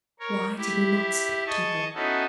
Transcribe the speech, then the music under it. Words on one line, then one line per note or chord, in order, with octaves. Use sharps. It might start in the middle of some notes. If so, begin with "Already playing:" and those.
Why did he not speak to her?
A#4 C#5
E4 G4
G#4 D#5 A5 C#6
B3 C#4 D#4 E4 F#4 A4